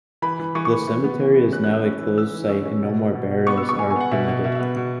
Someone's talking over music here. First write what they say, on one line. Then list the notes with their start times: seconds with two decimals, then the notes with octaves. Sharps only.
The cemetery is now a closed site and no more burials are permitted.
0.22 E3 B5
0.39 E3
0.55 E3 C#6
0.65 C#6
0.72 E3
0.87 E3
1.04 B3
1.20 E3
1.36 E3
1.52 C#4 F#6
1.64 F#6
1.68 C#4
1.73 E6
1.85 C#4
2.02 E3
2.17 E3 E6
2.33 E3
2.49 C#4 E6
2.65 C#4
2.82 B2
2.98 B3
3.14 B2
3.30 B2
3.47 B3 C#6
3.57 E6
3.63 B3
3.69 C#6
3.79 B3 G#5
3.91 G#5
3.96 B3 F#5
4.11 B2 E5
4.28 B2
4.44 B2 E5
4.55 E5
4.60 B3
4.76 B2